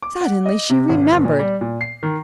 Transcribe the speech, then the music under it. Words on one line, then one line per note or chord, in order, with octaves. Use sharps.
Suddenly she remembered.
D6
F#5
D#5
C3
G#1
G1
A#2
G3
A#2
C7
D#3